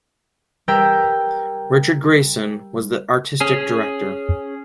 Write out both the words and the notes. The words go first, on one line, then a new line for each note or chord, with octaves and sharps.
Richard Grayson was the Artistic Director.
G3 A#4 G5 E6 G#6 B6
C#4 G#4